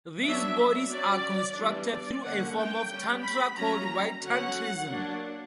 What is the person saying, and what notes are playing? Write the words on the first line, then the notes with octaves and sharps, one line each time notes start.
These bodies are constructed through a form of Tantra called White tantrism.
F#3 B3 D4 E5
F#3 C#4 D5
E3 G3 B3 D4
D5
D3 A#3 C#4 F#5
G5
G3 C#4
B5
F#3 A#3 C#4 A#5
D3 F#3 C#4 F#5
F#3 A#3 D4